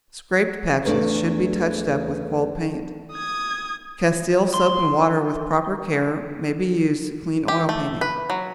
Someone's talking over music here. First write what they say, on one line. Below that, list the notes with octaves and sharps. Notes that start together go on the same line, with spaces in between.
Scraped patches should be touched up with gold paint. Castile soap and water, with proper care, may be used to clean oil paintings.
E2 A3 D4
D#6 G#6
C6
G4
A3
B4
F#3